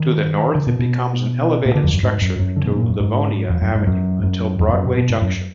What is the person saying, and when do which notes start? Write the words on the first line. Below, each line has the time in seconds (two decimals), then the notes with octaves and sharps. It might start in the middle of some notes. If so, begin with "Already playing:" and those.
To the north, it becomes an elevated structure to Livonia Avenue until Broadway Junction.
Already playing: D#3
0.55 D3
0.67 B2
0.79 B2
1.65 A#2
1.75 D3
1.84 F2
1.93 F#2
2.03 G#2
2.21 F#2
2.39 F#2
2.56 D3
2.66 B2
2.77 A#2
2.89 F#2
3.00 G#2
3.49 F2
3.61 F#2
3.75 G#2
3.87 F#2
4.23 F#2
4.60 F2
4.68 G#2
4.73 F#2
4.85 B2
4.97 B2
5.09 G#2
5.21 F#2